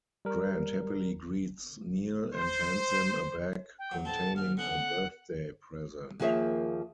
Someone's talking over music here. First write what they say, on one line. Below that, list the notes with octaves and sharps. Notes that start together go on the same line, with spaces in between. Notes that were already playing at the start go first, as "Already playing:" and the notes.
Grant happily greets Neal, and hands him a bag containing a 'birthday present.
G3 A#4
C5
G5
F#3
B1 B2 C4 A5
D#2 G#2 F6
D3 B3 C#4 F#5
D#2 F3 A#3 G#4 C#5 E5